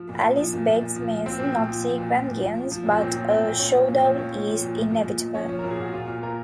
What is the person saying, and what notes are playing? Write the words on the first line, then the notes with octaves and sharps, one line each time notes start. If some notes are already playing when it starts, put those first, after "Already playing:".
Alice begs Mason not seek vengeance, but a showdown is inevitable.
Already playing: F3
A#2
F3
F3
A#2
A#2
A#2
F3
F3
F3 C4
A#2
A#2
F3
F3
A#2
F3
A#2
F3
F3
F3
A#2
C4
A#2 C#4
F3
F3 C4
A#2
F3 C#4
F3 C#4
A#2
C4
F3
F3 C#4
F3
F3
A#2
F3
A#2
A#2
F3
F3 C#4
F3
A#4
A#2
G#4
A#2 F#4
A#2 F4
A#2
A#2 A#4